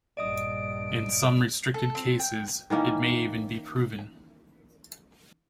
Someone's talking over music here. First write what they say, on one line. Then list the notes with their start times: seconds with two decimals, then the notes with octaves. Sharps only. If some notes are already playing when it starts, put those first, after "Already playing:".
In some restricted cases, it may even be proven.
0.17 A#1 G2 D5 D#5 D#6 D7
1.74 A4
1.95 C4
2.20 G5
2.70 D#3 E3 A#3 C#4